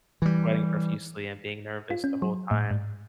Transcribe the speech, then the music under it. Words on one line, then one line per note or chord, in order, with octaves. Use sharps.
sweating profusely and being nervous the whole time,
E3 G3
F4
C#4
F#3
A2
G#2